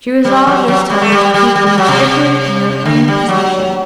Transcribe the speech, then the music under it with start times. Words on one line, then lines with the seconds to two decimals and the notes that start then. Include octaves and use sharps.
She resolved this time to keep them strictly in her own possession.
0.25 G3
0.47 F#3
0.68 F#3
0.90 G3
1.02 A3
1.12 G3
1.34 G3
1.56 G3
1.67 G3
1.78 F#3
1.88 C3
2.85 D3
3.08 G3
3.28 F#3